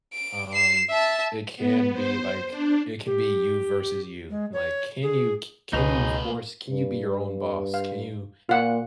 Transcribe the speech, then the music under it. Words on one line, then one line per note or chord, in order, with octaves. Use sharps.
um, it can be, like, it can be you versus you, like, can you ca can you force can you be your own boss, can you
D7
C7 E7
E5 A5
B3
C5
D4
G4
G#3
C#5
G#4
G1 C#2 B2 A3 D#4 G#4 B4 F7
G2
F5
A#2 F4 F#5